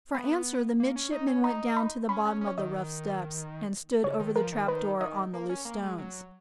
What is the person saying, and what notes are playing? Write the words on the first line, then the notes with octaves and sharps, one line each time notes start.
For answer the midshipman went down to the bottom of the rough steps, and stood over the trap-door on the loose stones.
B3 B5
A#3
C#4
D#4
C#4
D#4 A#5
B5
C#4 B5
C#4 G#5
C#4
C#5
D#3 D#5
C#3 C#5
D#3
F3 A#4
D#3
D#3 B4
D#3 D#5
A#3
C#4
A#3
G#3
F#3